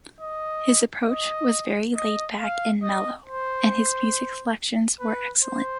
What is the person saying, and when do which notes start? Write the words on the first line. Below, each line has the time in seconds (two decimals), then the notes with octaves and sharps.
His approach was very laid-back and mellow, and his music selections were excellent.
0.21 D#5
1.08 D#5
1.96 D#5
2.39 F5
2.83 D#5
3.26 C5
5.00 B4
5.43 C5